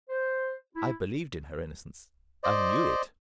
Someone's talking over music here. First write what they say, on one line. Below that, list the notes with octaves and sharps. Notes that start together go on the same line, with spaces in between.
I believed in her innocence; I knew it.
C5
E4
C5 D5 D#5